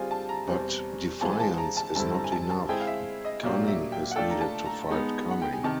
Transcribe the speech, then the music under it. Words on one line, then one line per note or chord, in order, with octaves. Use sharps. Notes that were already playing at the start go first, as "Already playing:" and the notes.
But defiance is not enough; cunning is needed to fight cunning.
Already playing: G3 C4 F4 G#4 G#5
A5
A#5
E2 B2 G3 C4
E3 G#3 C4 F4 G#4 A5
G#5
A5
A#5
A5
G2 D3 G3 C4 E4 A5
A#5
G#5
A5
A5
G#3 C4 E4 G#4 G5
F5
E5
D#5
A#2 F#3 A#3 D4 G4
E5
G5
F#5
A3 D4 F4 A4 G5
A#5
A5
A#5
G#3 B3 D#4
F#5
G5
G#5
C3 D#3 A5